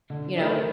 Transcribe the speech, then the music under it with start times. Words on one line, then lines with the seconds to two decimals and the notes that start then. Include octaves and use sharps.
you know,
0.10 D3
0.36 A3 E4 B4 D5